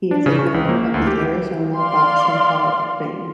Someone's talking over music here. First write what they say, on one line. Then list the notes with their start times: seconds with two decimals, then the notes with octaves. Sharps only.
He is a member of the Arizona Boxing Hall of Fame.
0.11 D4
0.26 C#3
0.39 C#6
0.54 C#2
0.69 A#3
0.94 D2
1.07 G4
1.77 D5 F5 C6